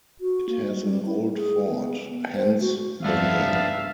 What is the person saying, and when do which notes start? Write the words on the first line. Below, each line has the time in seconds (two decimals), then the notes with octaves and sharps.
It has an old fort, hence the name.
0.20 F#4
0.49 A#3
0.69 G3
0.84 G3
1.06 E4
1.34 G#4
1.69 B3
2.11 B3
2.35 C5
2.61 F#4
3.04 G2 B3 D4 E5 F5